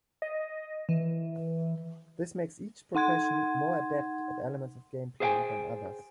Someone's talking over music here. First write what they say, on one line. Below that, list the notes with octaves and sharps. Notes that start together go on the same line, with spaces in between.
This makes each profession more adept at elements of gameplay than others.
D#5
E3
D#4 F#5 C6 G#6
G#4 C5 C#5 F5 G5 G#5